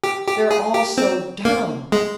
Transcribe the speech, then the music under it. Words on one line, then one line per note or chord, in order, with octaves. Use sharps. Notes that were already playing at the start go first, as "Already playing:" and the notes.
They're all so dumb.
G4
G4
G#4
G4
C4
A#3
G#3